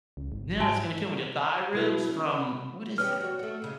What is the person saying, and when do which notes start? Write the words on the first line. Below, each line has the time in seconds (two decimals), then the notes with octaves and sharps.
You know, it's gonna kill with their Thai ribs from What is their name?
0.17 C#2
0.32 G#1
0.60 G#2 F#4 G#5 A5
1.73 B2 F#3 E4 B4
2.09 C#4
2.22 B4
2.39 B5
2.98 B3 C#4 G4 F6
3.21 F#4 C#5
3.39 A3 F#4
3.62 A2 C#3 G#3